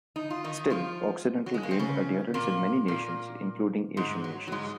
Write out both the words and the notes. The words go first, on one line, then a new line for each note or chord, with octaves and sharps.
Still, Occidental gained adherents in many nations including Asian nations.
D#4
F4
D#3 D#4
F3 F4
F#3
G#3
A#3
C4
C#3 C#4
A#2 A#3
A#2 A#3
G#2 G#3
F#3
F#3
G#2 G#3